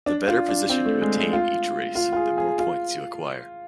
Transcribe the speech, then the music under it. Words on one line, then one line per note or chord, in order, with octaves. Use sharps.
The better position you attain each race, the more points you acquire.
D4
F4
D4
C4
A3
G#3
G#3
F4
F4
F4
G#4
G#4
F4